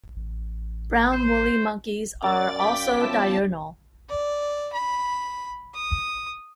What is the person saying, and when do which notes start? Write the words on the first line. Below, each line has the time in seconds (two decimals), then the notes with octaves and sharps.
Brown woolly monkeys are also diurnal.
0.16 A1
1.13 C5
2.22 F#2 D5 A6
2.59 F5 G5 D6 B6
3.01 F3 B3 E4 C#5 A5
4.09 D5
4.73 B5
5.74 D#6